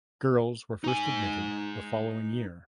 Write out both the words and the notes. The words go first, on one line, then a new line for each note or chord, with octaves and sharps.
Girls were first admitted the following year.
D#4 G#5